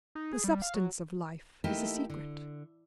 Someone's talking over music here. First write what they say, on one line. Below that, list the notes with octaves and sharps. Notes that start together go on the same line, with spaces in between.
The substance of life is a secret.
D#4
G#4
G3
F5
F#3
A3 A#3 D#4 E4 G4 A4
D3